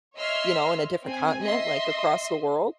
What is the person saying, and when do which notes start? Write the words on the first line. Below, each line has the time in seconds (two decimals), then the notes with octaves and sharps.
you know, in a different continent, like, across the world.
0.16 C#5 D#5 E5 C6 E6 F6
1.04 C4 G#5
1.42 D#5 E5 C6